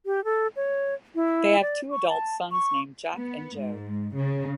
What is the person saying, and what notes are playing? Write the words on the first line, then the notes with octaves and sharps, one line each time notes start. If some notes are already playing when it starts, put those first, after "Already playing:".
They have two adult sons named Jack and Joe.
G4
A4
C#5
E4
D5
C#6
A5
C#6
B3
G#2
C#3